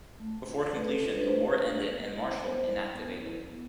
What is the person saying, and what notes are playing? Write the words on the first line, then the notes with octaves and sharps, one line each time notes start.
Before completion, the war ended and "Marshall" inactivated.
A3
D4 F4
A3 B4
A4
D4 F4 A4
B4
C5
A3 B4
D4 F4
B3
E4
B3 C5
E4
B3
E4
B3